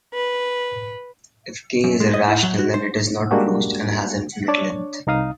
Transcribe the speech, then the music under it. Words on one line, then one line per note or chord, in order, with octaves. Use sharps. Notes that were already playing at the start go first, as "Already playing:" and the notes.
If "k" is irrational, then it is not closed and has infinite length.
B4
F#2
G#3
D#5
E4
F#3
F#4
C5
G3 G#3 A#3 D4 F#4 G4
D4 C#5 D5
C2 D#4 F5 D#6